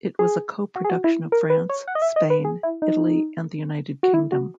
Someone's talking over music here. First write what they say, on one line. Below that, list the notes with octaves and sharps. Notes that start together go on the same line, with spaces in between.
It was a co-production of France, Spain, Italy and The United Kingdom.
G#4
F#4
G#4
F#4
E4
A#4
B4
C#5
F#5
D#5
E5
D#5
B4
G#4
E4
D#4
F#4
E4
F#4